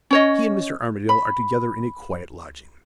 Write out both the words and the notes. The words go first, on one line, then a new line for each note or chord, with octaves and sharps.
He and Mr. Armadale are together in a quiet lodging.
C#4 C#5 D#5
B5